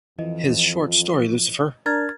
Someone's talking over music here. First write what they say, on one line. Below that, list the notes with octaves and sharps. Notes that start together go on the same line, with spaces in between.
His short story Lucifer!
F2 E3 F3 D#5
D4 A#4 F6 G#6 A6